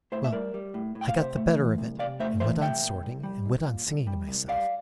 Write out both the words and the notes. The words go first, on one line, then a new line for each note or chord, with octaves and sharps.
Well; I got the better of it, and went on sorting, and went on singing to myself.
A2 C5 E5
E5
G3 A#4 D5
G3
A2
A2
G5
F5
C3 C5 E5
A3
E3
C2
C3 D5 F5
A3 C5 E5
E3 C5 E5
C2 E5 G5
A#2
C2
G3
C2
A#2
C2
G3
C2
G3 D5 F5